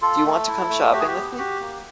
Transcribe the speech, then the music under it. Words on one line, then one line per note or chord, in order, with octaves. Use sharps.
Do you want to come shopping with me?
F4 A4
A3
E4
A3
F#4 G4
G#4
G4
B3
F#4 G4
A#3